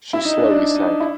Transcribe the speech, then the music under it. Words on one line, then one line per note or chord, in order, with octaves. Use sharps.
She slowly sank.
E4
D#4
D4
D4
D#4
E4